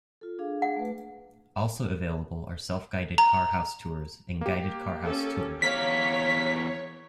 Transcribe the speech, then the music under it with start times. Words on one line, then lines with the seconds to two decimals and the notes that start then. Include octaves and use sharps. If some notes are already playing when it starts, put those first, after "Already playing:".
Also available are self-guided car house tours and guided car house tours.
0.21 F4 A4
0.39 D4 G#4 F5
0.62 F#5
0.76 A3 B4
3.18 A#5
4.41 A#3 G4
5.03 C#4 A4
5.62 E2 A#4 C#5 F5 B6